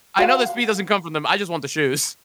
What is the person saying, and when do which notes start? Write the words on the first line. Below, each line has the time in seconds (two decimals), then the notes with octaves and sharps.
I know the speed doesn't come from them. I just want the shoes.
0.19 F#4 F5 F#5